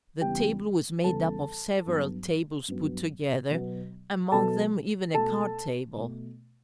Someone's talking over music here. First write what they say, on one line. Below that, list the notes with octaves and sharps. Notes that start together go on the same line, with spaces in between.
The table was made up of several tables put together, among them even a card-table.
E2 C#3 G3 B3 G4 G5
E2 C#3 G3 B3 A4 A5
G2 F#3 B3
G2 F#3 B3
B2 F#3 B3
B2 F#3 B3 A4 A5
B2 A3 A4 A5
B2 A3